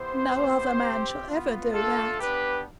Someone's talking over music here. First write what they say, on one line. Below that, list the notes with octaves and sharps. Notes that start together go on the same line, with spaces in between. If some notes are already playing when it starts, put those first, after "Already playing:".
"No other man shall ever do that."
Already playing: B3 E4 G4 C5
B3 E4 G4
C4 G4
B3 F4
A3 D4 F4 A4
B3 D4 G4 B4